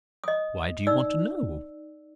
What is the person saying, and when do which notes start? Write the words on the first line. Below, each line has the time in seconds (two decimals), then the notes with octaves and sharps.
"Why do you want to know?"
0.24 D#5 D#6
0.87 D#4 D5 E6